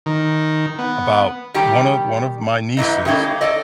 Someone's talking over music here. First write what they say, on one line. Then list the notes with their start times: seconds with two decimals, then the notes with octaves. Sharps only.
about one of one of my nieces,
0.06 D#3
0.79 B3
1.54 D#3 G3 G4
2.77 G#2 C3 E3 D#4
3.05 D#3 G3 A3 A#3 C#4 D#4
3.41 A4 D5 D#5